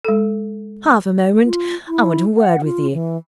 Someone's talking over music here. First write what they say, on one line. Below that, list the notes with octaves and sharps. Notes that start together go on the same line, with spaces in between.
Half a moment: I want a word with you.
G#3 A4
F4
E4
F#5
F4
E3